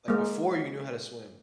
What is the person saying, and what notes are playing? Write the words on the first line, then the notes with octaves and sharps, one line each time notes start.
like, before you knew how to swim,
G#3 A#3